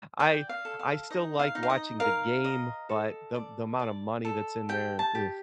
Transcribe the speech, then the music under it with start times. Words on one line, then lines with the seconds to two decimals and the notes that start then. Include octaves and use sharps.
I I still like watching the game, but the the amount of money that's in there, ugh,
0.20 D5 G5
0.49 F5
0.65 A4
0.79 F5
1.10 D#4 D#5
1.39 F5
1.55 D#4
1.63 F5
1.70 D#5
2.00 A#4 F5
2.44 D#5
2.89 A4
3.34 D5
3.79 D5
4.25 A4
4.69 G4 G5
4.99 A5
5.15 G4